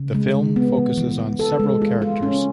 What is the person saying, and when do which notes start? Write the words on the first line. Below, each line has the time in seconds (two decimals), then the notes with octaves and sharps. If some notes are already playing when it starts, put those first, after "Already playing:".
The film focuses on several characters.
Already playing: C#3
0.15 G#3
0.35 G#3
0.56 B3
0.77 E3
0.97 E3
1.18 E3
1.39 A4
1.60 G#3
1.82 F4
2.02 F4
2.23 C#4